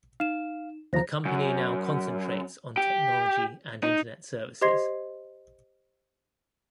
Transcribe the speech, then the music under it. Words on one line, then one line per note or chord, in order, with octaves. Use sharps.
The company now concentrates on technology and internet services.
D#4 F5 E7
D#2 F3 C5 A#5 A#6
F#2
G4
D#4
G4 C5 D#5 C6 G#6 C7